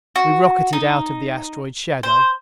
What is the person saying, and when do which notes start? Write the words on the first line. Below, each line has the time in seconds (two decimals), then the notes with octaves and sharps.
We rocketed out of the asteroid's shadow.
0.16 F#4
0.73 D#4
2.03 C5